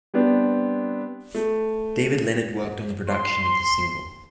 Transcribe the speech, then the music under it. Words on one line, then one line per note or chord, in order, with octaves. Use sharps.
David Leonard worked on the production of the single.
G3 B3 C4 D4
A3
C6